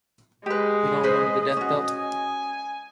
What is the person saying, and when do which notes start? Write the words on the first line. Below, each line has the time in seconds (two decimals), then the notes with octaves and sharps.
You don't remember the Death Belt?
0.46 G#3 G4 B4 D#5
1.03 G#4 B4 C5
1.57 C#4 F#4
1.93 G#5